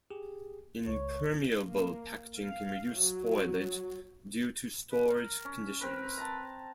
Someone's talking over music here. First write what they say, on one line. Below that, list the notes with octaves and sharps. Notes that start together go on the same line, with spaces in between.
Impermeable packaging can reduce spoilage due to storage conditions.
G4 G#4
C#2 C#5
A#3
F5
F#3
B4
A#4
C#4
C4 A#4 B4
A5 A#5